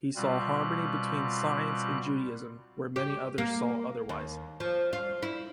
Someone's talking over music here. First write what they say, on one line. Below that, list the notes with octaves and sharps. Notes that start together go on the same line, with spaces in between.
He saw harmony between science and Judaism, where many others saw otherwise.
B2 G3 C4 F4 F#6
G4
A#3
D#2
F3
F4
E4